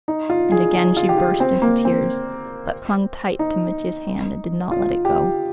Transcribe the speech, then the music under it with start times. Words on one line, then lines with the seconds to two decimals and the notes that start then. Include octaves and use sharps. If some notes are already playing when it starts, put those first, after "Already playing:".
And again she burst into tears, but clung tight to Mitya's hand and did not let it go.
0.08 D#4
0.30 F4
0.52 G#4
0.73 G#4
0.97 F4
1.09 G4
1.18 F4
1.40 C4
1.62 A#3
1.85 C4
3.39 D#4
4.71 F4
5.05 G4